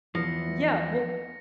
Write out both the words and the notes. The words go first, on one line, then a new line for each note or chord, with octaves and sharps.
Yeah, well
E2 E3 F3 A#6 C#7